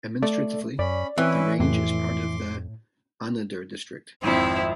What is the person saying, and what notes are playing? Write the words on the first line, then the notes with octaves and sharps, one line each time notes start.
Administratively the range is part of the Anadyr District.
A3 A4 D5
F#2 C#4 D5 B5
E3 C4 C#4 E4 B4
F2 A2 C6 D6
G#1 F2 C4 E4